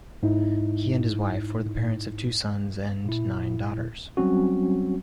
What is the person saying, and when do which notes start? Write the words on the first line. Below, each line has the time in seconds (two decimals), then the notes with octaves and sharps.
He and his wife were the parents of two sons and nine daughters.
0.23 G#2 D#4 E4
3.05 A#2 E4
4.17 F#3 G3 C4 C#4 F#4